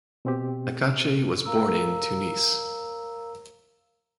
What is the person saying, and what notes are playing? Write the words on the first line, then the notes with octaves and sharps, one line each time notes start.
Naccache was born in Tunis.
B2 C4 G4
A#4 F5 A#5 E6